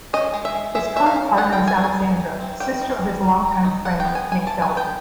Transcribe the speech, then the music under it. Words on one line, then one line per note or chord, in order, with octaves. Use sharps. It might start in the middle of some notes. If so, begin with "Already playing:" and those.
His current partner is Alexandra, sister of his long-time friend Nick Feldman.
C#4 D#5
G#3
E5
G#3
G#3 E5
C#4 E5
F5
C#4
D#4 F#5
G5
D#4
G#5
G#3
G#5
D#4
E3
C4
G3 G5
D#4
G3
G3
G3
D#4
E3 F#5
G5
B3
G#5
E3
G#5
E3 A5
G#5
B3
G5